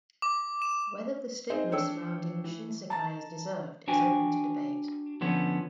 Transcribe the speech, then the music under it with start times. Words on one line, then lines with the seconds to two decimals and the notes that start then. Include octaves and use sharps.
Whether the stigma surrounding Shinsekai is deserved is open to debate.
0.22 D6
0.62 E7
1.50 C4 D#4 G#4 C5
1.72 D4 A4 C#5 G5 E6
2.44 E3
2.90 A5 A#5 A6
3.88 D4 F#4 G5 G#5
5.21 D3 F3 B3 C#4